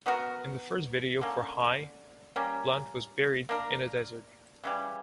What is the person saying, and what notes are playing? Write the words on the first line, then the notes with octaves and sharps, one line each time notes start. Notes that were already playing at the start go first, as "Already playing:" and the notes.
In the first video for ‘‘High,’’ Blunt was buried in a desert.
F#3 B3 F#4 A#4
D3 A#3 C#4
G3 A#3 C#4
A#3 D4 A#4
C#3 E3 G3